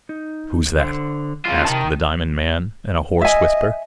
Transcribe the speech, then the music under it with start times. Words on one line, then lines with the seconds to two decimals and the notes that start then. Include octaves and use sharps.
"Who's that?" asked the diamond man, in a hoarse whisper.
0.09 D#4
0.79 D3 C5
1.45 C#3 F4
1.65 C3 D#3 A5
3.21 D#5 E5 G#5